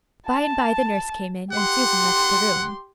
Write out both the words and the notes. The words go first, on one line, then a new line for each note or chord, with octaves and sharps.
By and by the nurse came in, and Susan left the room.
A5
G4 F#5 C6